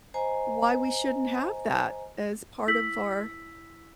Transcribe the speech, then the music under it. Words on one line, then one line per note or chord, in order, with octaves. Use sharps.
why we shouldn't have that as part of our,
C5 D#5 G#5 A#5
E4 E6 B6 F#7